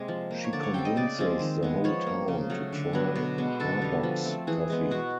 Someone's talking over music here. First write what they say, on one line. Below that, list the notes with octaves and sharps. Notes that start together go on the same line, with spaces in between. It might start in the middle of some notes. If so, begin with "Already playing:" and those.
She convinces the whole town to try Harbucks Coffee.
Already playing: C3 G#3 A#3 C4
F3
A#3
C#5
D3 D5
C#5
G3 C4 G5
D#5
C#3 D5
F3 G#3 C4
D#3
G#3 B3
F3 C#5
A#3
C#3
F#3 A3
D3
F#3 B3
B2
G#3 B3
D3 A4
G3 B3
F3
A3 C4
E3 G#4
G#3 B3
B2 F#4